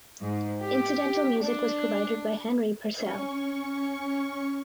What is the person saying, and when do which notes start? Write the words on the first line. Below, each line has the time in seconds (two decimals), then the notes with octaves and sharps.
Incidental music was provided by Henry Purcell.
0.20 G#2
0.60 G4
1.42 D4
2.96 C#4 C#6